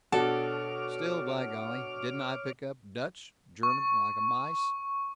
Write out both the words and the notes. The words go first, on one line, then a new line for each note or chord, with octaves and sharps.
Still, by golly, didn't I pick up Dutch--German--like a mice?
B2 D4 F#4 A4 C#5 D6 F6
C#6